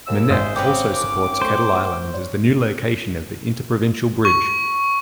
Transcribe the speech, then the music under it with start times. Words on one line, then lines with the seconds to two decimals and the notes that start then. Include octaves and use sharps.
Monette also supports Kettle Island as the new location of the Interprovincial Bridge.
0.07 D#2 E6
0.30 G#1 G#3 C5 E5 D#6
0.56 C4 C#4 B4 D6
1.42 A3 C5 C#6
2.14 C#5
4.25 C#6